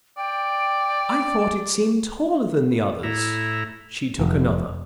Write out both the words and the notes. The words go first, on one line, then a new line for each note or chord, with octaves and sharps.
"I thought it seemed taller than the others." She took another.
D5 G5
A2 E4 A#5
F1